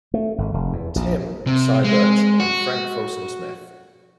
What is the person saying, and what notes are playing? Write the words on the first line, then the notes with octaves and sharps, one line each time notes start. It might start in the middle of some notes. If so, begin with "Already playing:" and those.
"Tim" Seibert, and Frank Folsom Smith.
A3
G#1
F1
E2
A#1
C3
G#3
F#4